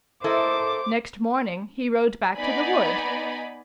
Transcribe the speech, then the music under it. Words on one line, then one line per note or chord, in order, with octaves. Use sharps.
Next morning he rode back to the wood.
E4 A4 A#4 C5 D#5 D6
B3 D#4 D5 G#5 B5